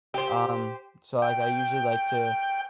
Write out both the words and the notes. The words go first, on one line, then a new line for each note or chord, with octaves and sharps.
Um, so, like, I usually like to,
G4 C5
G5